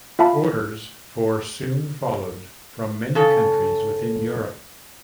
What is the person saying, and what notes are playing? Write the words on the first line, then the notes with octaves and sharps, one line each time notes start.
Orders for soon followed from many countries within Europe.
F4 E5 F5 A5 B5
C#3 A4